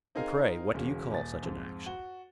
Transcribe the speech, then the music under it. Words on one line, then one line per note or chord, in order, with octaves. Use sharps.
"And pray what do you call such an action?"
C4 D#4 G#4 A#4 F5
E1 C#3
D#1 A6
F2 G#2
F#4 G7